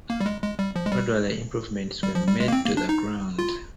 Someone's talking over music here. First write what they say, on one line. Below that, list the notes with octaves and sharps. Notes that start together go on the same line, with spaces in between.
Gradually improvements were made to the ground.
A#3
G3
G#3
G#3
G3
F3
G#3
G3
G3
F3
G3
G#3
A#3
C4
A#3
D4
D#4
F4